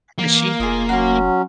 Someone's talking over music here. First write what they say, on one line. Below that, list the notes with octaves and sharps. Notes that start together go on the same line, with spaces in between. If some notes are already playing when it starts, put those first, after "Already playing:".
And she
E3 A#3
F1 F4 G#4 D#5
F#3 C#4 F#5 A#5 C6